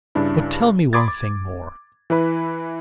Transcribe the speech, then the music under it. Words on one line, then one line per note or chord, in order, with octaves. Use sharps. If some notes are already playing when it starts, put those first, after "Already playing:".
But tell me one thing more.
G2 C#3 D4 E4
B5 C6 D6 D#6 G#6 A6
D6
E3 E4 B4 B5